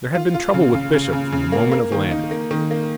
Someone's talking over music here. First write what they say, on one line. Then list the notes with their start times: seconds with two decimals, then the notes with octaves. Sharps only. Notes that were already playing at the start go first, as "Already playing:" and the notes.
There had been trouble with Bishop from the moment of landing.
0.15 F4
0.34 F4
0.54 C#3
0.74 C#3
0.93 C#3
1.13 C#3
1.32 C#3
1.52 A#3
1.72 A#3
1.92 D#3
2.11 D#4
2.31 A#3
2.51 D#3
2.71 A#3